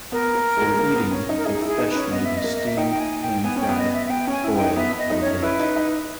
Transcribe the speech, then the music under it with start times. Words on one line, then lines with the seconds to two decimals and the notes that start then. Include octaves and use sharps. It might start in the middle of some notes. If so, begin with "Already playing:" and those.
For eating, the fish may be steamed, pan-fried, broiled, or baked.
0.12 B3 A#4
0.35 A#3
0.57 G#3
0.79 A#3
0.95 B3
1.11 C#4
1.29 D#4
1.38 A#4
1.45 D#4 G#4
1.62 E4
1.67 G#4
1.79 D#4
1.90 B4
1.95 C#4
2.11 B3 D#5
2.25 E5
2.38 D#5
2.44 A#3
2.56 D#5
2.67 E5
2.77 D#4 G5
2.91 G5
3.00 G#5
3.22 G5
3.44 B3 G#5
3.56 C#4 G5
3.69 B3
3.77 D#5
3.93 E5
4.07 E5
4.10 B3 G5
4.27 C#4 G#5
4.44 E4
4.55 G5
4.60 D#4
4.76 B3 E5
4.92 B3
4.98 D#5
5.10 D#4
5.21 C#5
5.27 C#4
5.42 E4 B4
5.60 D#4
5.76 D#4